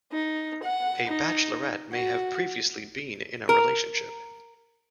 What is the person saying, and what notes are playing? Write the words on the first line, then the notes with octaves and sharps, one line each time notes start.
A bachelorette may have previously been in a relationship.
D#4
F#5
D#4
F#4
A#4